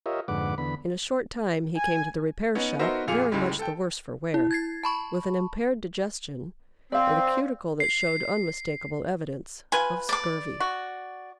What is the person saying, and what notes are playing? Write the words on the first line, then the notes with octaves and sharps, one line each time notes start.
In a short time he came to the repair shop very much the worse for wear, with an impaired digestion and a cuticle that showed unmistakable evidence of scurvy.
F4 G4 A#4 C#5 D#5 E5
F2 G#2 D3 B4 F#5 D6
E2 D3 B3 B5
G#5
B3 C#4 D#4 C#5
B3 D#4 F#4 A#4 C5 E5
F2 A#2 G#4 F5 C#7 F7
C#2 F#2 A2 G3 G#3
A4 G5
E4
G#6 A6 C7
A5 B5 C#6
C4 D5 F5
C7
F4 B4 G#5
D5 D6
F#4